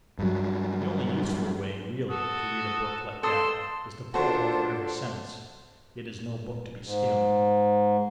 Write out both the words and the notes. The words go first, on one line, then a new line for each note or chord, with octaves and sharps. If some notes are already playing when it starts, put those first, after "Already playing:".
The only useful way really to read a book like that is to pore over every sentence: it is no book to be skimmed.
G2 F#3
F#4 A4 D#6
A4 C6 D#6 E6
D4 F4 F#4 A4 C5
G#2